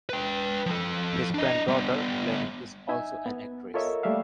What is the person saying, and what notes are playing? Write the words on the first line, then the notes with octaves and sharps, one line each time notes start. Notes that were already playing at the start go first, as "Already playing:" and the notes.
His granddaughter Lenny is also an actress.
B4 G5
F3 A4
D4 D#5
G3 B3
D#4 E5 G#5
B3
F4 A4 A#4 C#5 D#5 E5
G3 A3 A#3 D5 E5 F5